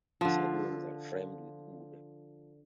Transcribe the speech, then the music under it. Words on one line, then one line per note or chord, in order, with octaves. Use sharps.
The side wings are framed with wood.
D3 F3